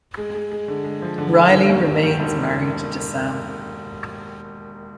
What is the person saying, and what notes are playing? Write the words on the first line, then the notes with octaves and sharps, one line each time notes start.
Riley remains married to Sam.
G#3
G#3
G#3
D3
G#3
F3
D3
D3
D#3
D#2
E1
D#3
E1